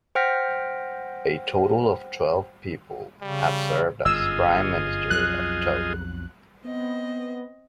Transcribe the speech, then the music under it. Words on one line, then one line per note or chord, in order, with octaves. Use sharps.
A total of twelve people have served as Prime Minister of Togo.
C5 F#5 G5 F6 A#6 B6
C#3 G3
G1 F#2 F4 G#4 D#5 E6
B1 F2 F#3 F#6
B3 C4 D#5